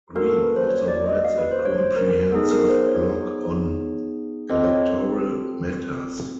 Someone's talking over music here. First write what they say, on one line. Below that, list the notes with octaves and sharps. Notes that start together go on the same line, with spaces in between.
Green also writes a comprehensive blog on electoral matters.
A#3 C#4 F#4 A4 A#4
A4
B4
C5
C#5
D5
D#5
F5
B4
C5
C#5
C5
A#4
B3 D#4 G#4 A4
A#4
C5
C#5
C4 F4 A4 D#5
C#5